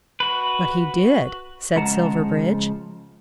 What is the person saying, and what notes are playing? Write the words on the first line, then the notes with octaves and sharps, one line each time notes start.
"But he did," said Silverbridge.
F#4 B4
C#3 F3 G#3 F#5 A5 A#5